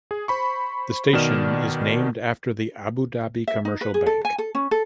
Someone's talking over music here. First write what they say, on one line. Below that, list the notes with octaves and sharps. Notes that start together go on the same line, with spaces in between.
The station is named after the Abu Dhabi Commercial Bank.
G#4
C5 B5 C#6
B2 D#3 D5 F6 E7
E5
D#4
B4
G#4
A4
G#5
A4
C#4
A4